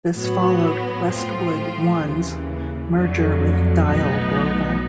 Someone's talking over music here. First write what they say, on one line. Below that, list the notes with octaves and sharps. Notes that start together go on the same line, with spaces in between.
This followed Westwood One's merger with Dial Global.
A2 F#3 B3
A2 F3 A3 C4 F4
D#2 C#3 E3
F2 D3 F#3 A3
B1 A2 F#3 B3 D#4